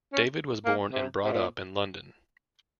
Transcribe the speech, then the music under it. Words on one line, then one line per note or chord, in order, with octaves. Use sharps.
David was born and brought up in London.
C#4
A#3
C3
C3
A#2